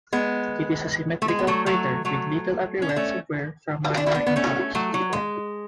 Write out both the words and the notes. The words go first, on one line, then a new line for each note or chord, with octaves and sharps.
It is a symmetrical crater with little appearance of wear from minor impacts.
G#3 B3
A3
G#3
B3
F#3 A3
F#3 A3
F#3 A3
C#4
D4
A3 C#4
D4
E4
B3 D4
B3
A3 C#4
F#3 A3
F#3
G#3